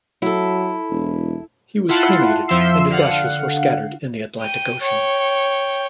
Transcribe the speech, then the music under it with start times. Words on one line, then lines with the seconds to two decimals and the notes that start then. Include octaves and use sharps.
He was cremated, and his ashes were scattered in the Atlantic Ocean.
0.22 F#3 E4 A4
0.91 E1
1.89 E4 F4 F#5 A5 C6
2.48 F2 F3 E5 C6 E6 C7
2.90 D3 F5 F#5
4.40 G5 D#7
4.82 C#5 G5